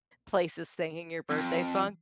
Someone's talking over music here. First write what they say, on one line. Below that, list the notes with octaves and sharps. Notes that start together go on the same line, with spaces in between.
place is singing your birthday song.
F2